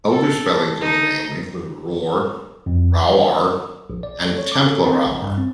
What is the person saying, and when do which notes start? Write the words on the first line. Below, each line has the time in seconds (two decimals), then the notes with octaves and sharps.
Older spellings of the name include "Roar", "Rowar" and "Tamplerowar".
0.11 A4
0.81 D#4
2.66 F2
3.90 A#1
4.03 D5
4.25 A4
4.38 C#5
4.52 D6
4.66 A4
4.85 C4
5.06 A#1
5.22 G2
5.38 C4